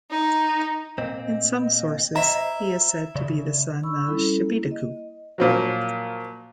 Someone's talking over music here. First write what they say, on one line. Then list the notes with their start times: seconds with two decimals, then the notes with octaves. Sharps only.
In some sources he is said to be the son of Shebitku.
0.11 D#4
0.98 A#2 C4 D#5
2.16 E4 C5 A#5
3.16 C#3 D5
3.83 D4 B5 C#6 E6
4.07 G3 C#4 E4 A4
4.46 A#3 E4
4.71 D#5
5.38 A#2 F3 F#3